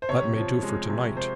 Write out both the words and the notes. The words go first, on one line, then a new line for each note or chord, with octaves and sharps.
That may do for to-night.
C5
C3 C#5
F3
G#3
C3
C3 C5